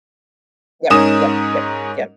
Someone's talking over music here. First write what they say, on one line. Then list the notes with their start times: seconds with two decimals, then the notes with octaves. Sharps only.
Yep, yep, yep, yep.
0.90 G#2 C#4 D#4 A#4 D#6 E7